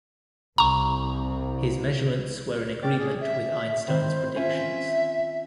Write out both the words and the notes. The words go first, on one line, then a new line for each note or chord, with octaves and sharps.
His measurements were in agreement with Einstein's predictions.
C2 A#5 C#6
D5 G5 F6
G#4
E5
D#3 C4 E4 C5
C#4 F4 E5 G#5